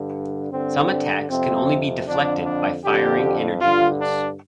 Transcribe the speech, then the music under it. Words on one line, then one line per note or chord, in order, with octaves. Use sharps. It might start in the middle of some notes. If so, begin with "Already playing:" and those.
Some attacks can only be deflected by firing energy bolts.
Already playing: G2 D3
G2 D3 C4
F2 C3 C4
F2 D3 D4
D4
F2 D3 G4
G2 D3 F4
D4